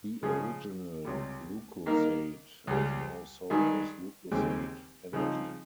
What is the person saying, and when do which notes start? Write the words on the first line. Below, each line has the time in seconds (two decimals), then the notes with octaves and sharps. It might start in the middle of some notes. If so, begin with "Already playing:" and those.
The original Lucozade is now sold as Lucozade Energy.
0.23 C#3 F3 G#3 C#4 G#4
1.05 C#2 C3 G3
1.86 D#3 A#3 D#4 A#4
2.67 C#2 C#3 G3
3.50 G2 D#3 G#3 D#4 G#4
4.31 D#2 C#3 G#3 C4 G4
5.13 C#3 F3 C4 D#4